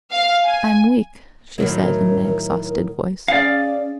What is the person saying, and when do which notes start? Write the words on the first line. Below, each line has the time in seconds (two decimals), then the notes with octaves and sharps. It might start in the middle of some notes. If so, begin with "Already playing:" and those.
"I'm weak...." she said in an exhausted voice.
0.11 F5
0.43 G#5
1.58 A2 D#3 F#3 A#4
3.28 C#4 G#4 D5 F5